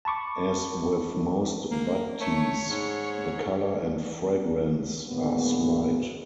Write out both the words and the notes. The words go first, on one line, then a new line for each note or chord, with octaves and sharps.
As with most bud teas, the color and fragrance are slight.
A5 B5 C#6 D6
A#3
A3 C#5
G#2
A2 D3 F#3 G#3 A#3 B3